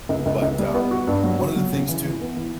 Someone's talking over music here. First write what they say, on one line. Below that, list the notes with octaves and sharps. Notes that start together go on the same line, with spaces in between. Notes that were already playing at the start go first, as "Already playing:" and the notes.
But um one of the things too
C#2
C#2
C#2
G3
B3
F#4
G2
F#3
F#4
F#3
C#3
E3
E3
B3
E3